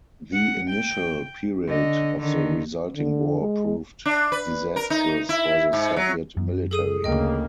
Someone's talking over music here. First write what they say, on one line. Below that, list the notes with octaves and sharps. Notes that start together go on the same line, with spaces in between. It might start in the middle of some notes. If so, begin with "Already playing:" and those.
The initial period of the resulting war proved disastrous for the Soviet military.
F#5
G5
D3 D#5
D3 D#3
D3
G#3
D4
B4
A#4
D#4
E4
G#2
F#3
F#2
G#4 A4 D#6 D#7
D2 C#3 A#3 D#5 G5